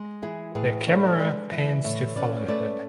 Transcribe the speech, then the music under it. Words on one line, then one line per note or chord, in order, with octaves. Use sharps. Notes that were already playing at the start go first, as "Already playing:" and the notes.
The camera pans to follow her.
Already playing: G#3
E3 E4 G#4
A2 G#4 B4
D4 A4 C#5
G#3 B4 D5
E3
A2 C#5 E5
C#4 B4 D5
A3 B4 D5